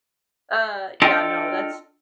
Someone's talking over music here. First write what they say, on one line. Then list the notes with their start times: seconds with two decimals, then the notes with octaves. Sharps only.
Uh. Yeah, no. That's
1.02 D4 F4 A4 D#5 G5